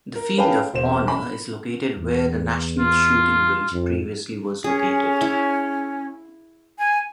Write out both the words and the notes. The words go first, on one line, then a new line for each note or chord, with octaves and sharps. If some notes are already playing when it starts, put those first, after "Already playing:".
The field of honour is located where the national shooting range previously was located.
A#4
C#4 G#4 B4 F5 G5 A5
E1 C5 E7
B5
E2
F4
F2
C#4 G#4
E4
G#5